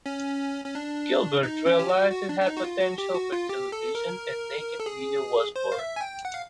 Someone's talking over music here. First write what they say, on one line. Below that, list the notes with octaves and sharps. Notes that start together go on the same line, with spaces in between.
Gilbert realised it had potential for television and "Naked Video" was born.
C#4
C#4
D4
D#4
C#4
G4
F#4
F#4
D4
D4
D#4
F#4
F4
F#4
G4
F#4
F4
G4
A4
A#4
A4
G#4
C5
F5
E5
G#5
G5
F#5
F5